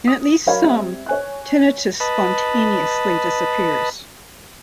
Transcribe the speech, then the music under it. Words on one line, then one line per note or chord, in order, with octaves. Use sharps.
In at least some, tinnitus spontaneously disappears.
D#6
F#3 A#4 C#5 F5 B5 G#6
G3 C4 E5
C#5 G#5 F#6
B4 D#5 A5 B5